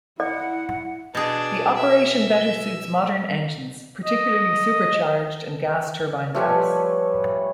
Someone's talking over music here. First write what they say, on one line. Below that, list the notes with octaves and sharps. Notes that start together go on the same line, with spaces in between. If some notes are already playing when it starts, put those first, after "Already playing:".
The operation better suits modern engines, particularly supercharged and gas turbine types.
E4 D5 F#5
B2 D4 G#4
E5
D#5
F3 G3 A3 B4 C#5 G#5